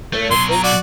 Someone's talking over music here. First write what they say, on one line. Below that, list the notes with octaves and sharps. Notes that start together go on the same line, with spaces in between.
But I think
A3
B2 F#3 C6
A#5
F#4 D5